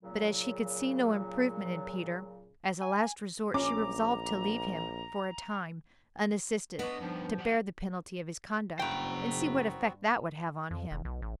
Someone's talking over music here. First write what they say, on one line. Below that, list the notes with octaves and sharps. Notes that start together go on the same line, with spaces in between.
But as she could see no improvement in Peter, as a last resort, she resolved to leave him, for a time, unassisted, to bear the penalty of his conduct, and see what effect that would have on him.
A#2 C#3 F#3
G#5
A#1 C#4 A#5 D6
B3 D4 B4 C#5 D#5
G2 D#3 F3
G3 F#5
F#1 G2 B3 C4 F#4 C5 G5 A#5
F2
E1
B1
A1